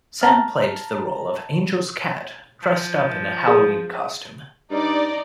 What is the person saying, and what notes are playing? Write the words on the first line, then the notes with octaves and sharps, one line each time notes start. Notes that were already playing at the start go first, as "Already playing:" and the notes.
Sam played the role of Angel's cat, dressed up in a Halloween costume.
A5 A#5 F6
F3
G#4 D#6
G2 D#4 D5